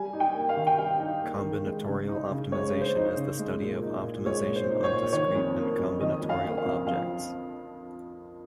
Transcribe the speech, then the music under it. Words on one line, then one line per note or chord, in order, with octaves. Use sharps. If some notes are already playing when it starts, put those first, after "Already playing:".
Combinatorial optimization is the study of optimization on discrete and combinatorial objects.
Already playing: G3 G#5
D#4
G5
A#3
F5
D#3
G5
G3 F5
D#4
A#3
D#3
G#3
C#3
D#4
C#3
G#3 C#5
C#3
C5
D#4
C#3
G#3
A#2
D#4
A#2
G#3 C#5
A#2
C5
D#4
C5
C#5
A#2
D#3 C#5
F2
A#3
F2
D#3 D#5
F2
F5
A#3
F5
F2
F3 F5